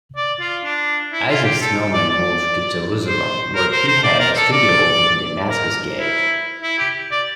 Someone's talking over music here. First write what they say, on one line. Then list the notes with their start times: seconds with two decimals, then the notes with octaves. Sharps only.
Isaac Snowman moved to Jerusalem, where he had a studio over the Damascus Gate.
0.16 D5
0.40 F4
0.64 D4
1.12 E4
1.29 F4
1.44 G4
1.61 A4
1.93 D5
2.09 D5
3.07 C5
3.55 A#4
3.72 C5
3.88 C5
4.04 D5
4.19 A#4
4.36 A4
4.52 D5
5.50 A#4
5.98 E4
6.62 E4
6.78 G4
7.11 D5